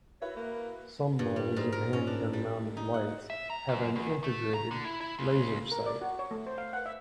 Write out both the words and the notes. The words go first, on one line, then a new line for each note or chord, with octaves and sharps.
Some models of handgun-mounted lights have an integrated laser sight.
E4 F#4 B4 C#5
A#3
G2
G3
G#2
A#4
C#4
D4
G3
D#4
F#5
E5
A#5
F#2
E2
A3
A#5
D3
E4
E4
C#2
A#4
D5
F#4
C#5
A3
C5
F5
F#5
E5